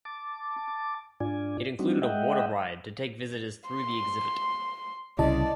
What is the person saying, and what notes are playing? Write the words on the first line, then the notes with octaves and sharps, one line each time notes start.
It included a water ride to take visitors through the exhibit.
A5 D6
G#2 D4 F4 D5 G#5
G3 C4 D4 D#4 F#4
G#3 D#5 E5 F#5 G5
C6
C2 C#3 E4 D5 D#5 A5